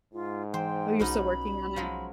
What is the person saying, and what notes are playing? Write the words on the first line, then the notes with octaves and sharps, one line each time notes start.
Oh, you're still working on it?
G#2 F4
E3 C5 G5
B1 B3 C#4 D#4 F#4 B5
F3 F#3 G#3